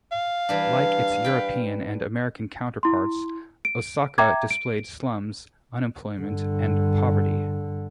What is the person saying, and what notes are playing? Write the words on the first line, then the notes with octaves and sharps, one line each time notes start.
Like its European and American counterparts, Osaka displayed slums, unemployment, and poverty.
F5
E3 G3 D4
B4 G5
E4 C6
D7
E5 G5 A#5 D6 G#6
D7
G2 D3